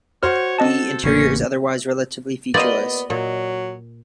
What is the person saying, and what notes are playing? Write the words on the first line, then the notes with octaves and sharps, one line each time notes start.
The interior is otherwise relatively featureless.
F#4 C5 C#5 F6
C4 A4 D#5 A5
A1 C#3 A#3 C#4
A#3 B3 F4 G4 D5 D#5
A#2 F#3